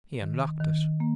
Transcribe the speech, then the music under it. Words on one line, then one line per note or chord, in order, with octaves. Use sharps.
He unlocked it.
D#3
D#3
A#3